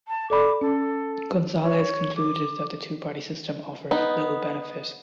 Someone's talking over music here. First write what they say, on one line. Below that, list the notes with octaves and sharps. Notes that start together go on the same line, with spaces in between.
Gonzales concluded that the two-party system offered little benefit.
A5
A4 D5 B5 D6
C#4 A4
C#5
D6
B3 D#4